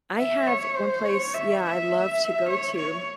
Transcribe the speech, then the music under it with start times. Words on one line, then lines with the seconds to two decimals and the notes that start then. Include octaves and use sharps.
I have one place yeah, I love to go to.
0.19 E5
0.47 C#5
0.77 C5
1.05 C#5
1.34 E5
1.63 E5
2.50 C#5
2.79 C#5